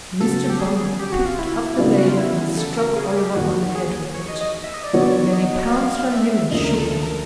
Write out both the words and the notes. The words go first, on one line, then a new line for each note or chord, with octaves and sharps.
Mr. Bumble picked up the ladle and struck Oliver on the head with it; then he pounced on him and shook him.
C#3 F#3 B3 A4
G4
G#4
G4
F#4
F4
E4
C#3 F#3 B3 D4
F#4
F4
E4
A4
A#4
G#4
G#4
G4
D#2 D#3 F#3 F#4
G#4
C#5
D#5
D#5
E5
D#5
D5
D#3 F#3 B3 D4 F#4 C#5
D5
C#5
D#5
F5
E5
D2 C#3 F3 A#3 D4 D#5
A#4
A4
A4
A#4